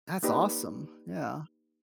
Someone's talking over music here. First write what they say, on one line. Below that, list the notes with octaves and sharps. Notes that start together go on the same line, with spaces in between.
That's awesome, yeah.
A#3 D#4 G4 B4 D5